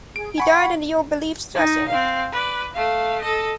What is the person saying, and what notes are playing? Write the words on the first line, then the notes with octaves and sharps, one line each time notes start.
He died in the old beliefs dressing.
G#4 D7
F#5 G#5 B5 C#6
D#4
C4 F5
B4 D5
A3 F5
A4 D#5